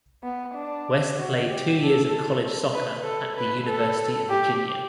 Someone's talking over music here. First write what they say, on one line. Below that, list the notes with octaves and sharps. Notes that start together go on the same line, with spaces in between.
West played two years of college soccer at the University of Virginia.
B3
D4
F#4
G4
A4
B4
A4
B4
A4
G4